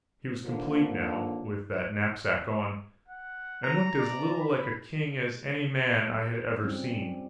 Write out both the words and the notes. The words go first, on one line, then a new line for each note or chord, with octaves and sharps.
He was complete now with that knapsack on, and looked as little like a king as any man I had ever seen.
D#2 D3 F3 A#3
F#5
A#5
D5
B5
G#4
F3 G3 C4 C#4